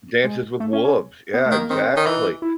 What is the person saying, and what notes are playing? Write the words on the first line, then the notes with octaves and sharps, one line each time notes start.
Dances with Wolves, yeah, exactly.
G#3
A3
C#4
C#4
B3
A3
D#3
A#3
D#3 C4
C4
C#4
D#3
E3 D#4
E4